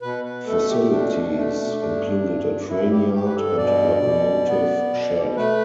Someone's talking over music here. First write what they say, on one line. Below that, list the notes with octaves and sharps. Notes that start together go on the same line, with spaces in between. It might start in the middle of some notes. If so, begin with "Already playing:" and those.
Facilities included a train yard and locomotive shed.
B2 B4
B4
A3 A4
G4
B2 D4
A3
G2 D4
G2
G2 E4
G4
G2 G4
B4
A4
B2 D5
B2
B3
B2
A3 B4